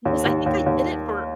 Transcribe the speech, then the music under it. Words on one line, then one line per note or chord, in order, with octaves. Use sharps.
Because I think I did it for
D#2
D#2
D#2
D#2